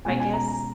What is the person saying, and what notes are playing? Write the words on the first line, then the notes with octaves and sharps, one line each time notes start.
I guess
B2 G#3 C#4 G#5
G#5
A#5
A#5